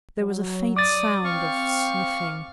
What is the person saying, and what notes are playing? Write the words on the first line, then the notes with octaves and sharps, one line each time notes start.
There was a faint sound of sniffing.
F#3
D5 D6 D#6 A6
C4 F5 G5 C#6